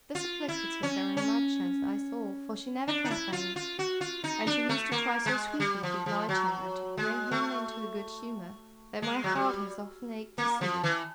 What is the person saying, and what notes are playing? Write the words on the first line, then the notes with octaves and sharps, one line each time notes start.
This afflicted her very much, as I saw, for she never complained, and she used to try so sweetly to oblige him and to bring him into a good humour, that my heart has often ached to see it.
F4
E4
C#4
C#4
D4
D#4
E4
F4
F4
F#4
F4
D#4
D4
A3
A#3
G#3
G3
F3
F3
F#3
G#3
A3
G#3
F#3
G3
A#3
F3
E3